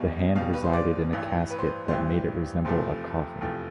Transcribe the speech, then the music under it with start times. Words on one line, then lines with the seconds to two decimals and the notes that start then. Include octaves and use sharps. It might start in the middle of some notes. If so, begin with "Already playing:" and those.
The Hand resided in a casket that made it resemble a coffin.
Already playing: B1 B2 G3
0.35 B1 B2 G3 F5
0.53 B4
0.64 C5
0.73 D5
1.13 A1 G2 E3 G3
1.50 B4
1.59 C5
1.66 B4
1.88 A1 G2 E3 G3 C5
2.65 F1 E2 C3 F3 A3 C5
3.41 F1 E2 C3 F3 A3